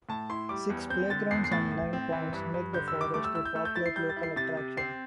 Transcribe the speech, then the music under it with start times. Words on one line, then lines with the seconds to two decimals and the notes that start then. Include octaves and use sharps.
Six playgrounds and nine ponds make the forest a popular local attraction.
0.09 A2 A5
0.30 E4 C6
0.49 G3 D6
0.70 E2
0.90 C4 G6
1.10 D3 A6
1.31 E2 C7
1.44 C7
1.51 A2 A6
1.71 A2
1.93 C4
2.12 E3
2.33 G2
2.54 G2
2.73 D3 G6
2.88 E6
2.94 G3
3.01 D6
3.14 A3 D6
3.24 E6
3.35 E4 E6
3.45 G6
3.55 A3 E6
3.65 G6
3.76 E4 A6
3.86 C7
3.96 G3 G6
4.10 A6
4.17 E4
4.23 C7
4.36 C3 A6
4.57 C3
4.77 C4 C7